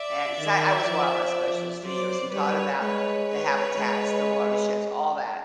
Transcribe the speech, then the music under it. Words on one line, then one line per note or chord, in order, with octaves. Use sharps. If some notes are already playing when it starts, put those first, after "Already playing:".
and 'cause I I was a wildlife specialist for years and taught about the habitats, the watersheds, all that.
Already playing: D5 E5
D#3
F3
F#3 C5 D5
G3 B4 C#5
G#3 B4 C#5
B4 C#5
G#3